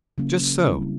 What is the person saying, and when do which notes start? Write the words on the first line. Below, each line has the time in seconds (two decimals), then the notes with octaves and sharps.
Just so.
0.18 C#3 F#3 A#3 C#4
0.65 G3 C4 E4